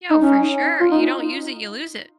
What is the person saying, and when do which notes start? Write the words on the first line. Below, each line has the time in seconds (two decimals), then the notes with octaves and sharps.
Yo, for sure. You don't use it, you lose it.
0.11 D#4
0.21 C#4
0.81 F4
0.91 D#4